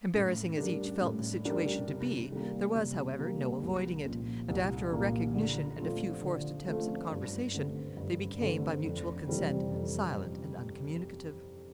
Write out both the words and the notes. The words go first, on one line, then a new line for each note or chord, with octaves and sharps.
Embarrassing as each felt the situation to be, there was, however, no avoiding it, and, after a recognition and a few forced attempts at conversation, they became, by mutual consent, silent and uncommunicative.
A2
G3 D4 G4 A#4
A2
G3 D4 G4 A#4
C3
G3 A#3
C3
G3 A#3
C2
A#2 F3 A#3
C2
A#2 F3 A#3
D3
F3 A3 C4 F4
D3
F3 A3 C4 F4
G2
D3 A3 C4
G2
D3 A3 C4
F2
C3 E3 G3 C4
F2